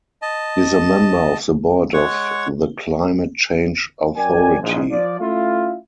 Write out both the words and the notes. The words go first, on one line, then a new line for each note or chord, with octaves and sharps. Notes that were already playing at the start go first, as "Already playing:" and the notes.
He is member of the board of the Climate Change Authority.
D#5 A5
G#3 C#5 F#5 C#6
F#2 A#4 D5 G5 G#5
A#1 E2 G#2
F3 D5
A3 C#4 E4 F4